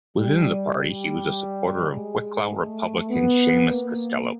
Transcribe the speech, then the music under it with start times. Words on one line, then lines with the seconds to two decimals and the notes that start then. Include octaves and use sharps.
Within the party he was a supporter of Wicklow Republican Seamus Costello.
0.17 G3
0.75 G3
1.92 G#3
2.51 A3
3.10 B3
3.68 A#3